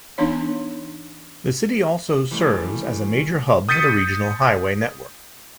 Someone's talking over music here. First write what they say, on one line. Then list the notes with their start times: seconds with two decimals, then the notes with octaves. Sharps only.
The city also serves as a major hub for the regional highway network.
0.18 E3 B3 D4 D#4 C#5
2.31 E3 G3 A3
3.69 D#6 G6 A6 B6 C#7 D#7